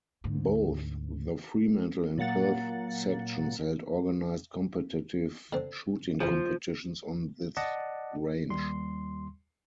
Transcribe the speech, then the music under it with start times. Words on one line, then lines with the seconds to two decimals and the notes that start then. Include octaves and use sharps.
Both the Fremantle and Perth sections held organised competitive shooting competitions on this range.
0.24 D2 G#2
2.18 A#2 F#3 A#3 F#5 A6
5.53 D3 C4
6.21 E2 C#3 F3
7.57 D5 D#5 F#5 A5
8.50 D#2 G3 C6